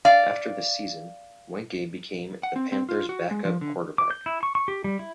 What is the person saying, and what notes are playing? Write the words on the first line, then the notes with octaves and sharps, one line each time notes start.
After the season, Weinke became the Panthers backup quarterback.
D5 F5
F#5
C4
C4
F4
F#4
G#3
F3
D3
D6
G6
E4
C#6
C#6
G4
G3
E4